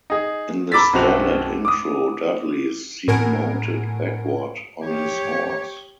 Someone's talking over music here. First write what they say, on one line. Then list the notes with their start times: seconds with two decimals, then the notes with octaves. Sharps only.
In the standard intro, Dudley is seen mounted backward on his horse.
0.10 D#4 G#4
0.72 A#5 B5 D6 E6 A6 B6
0.93 B1 F#2 C4 F#4 F7
1.65 D6 D#6
3.08 A2 A#4 F#5 G#5 G#6 D7
4.84 G4 C#5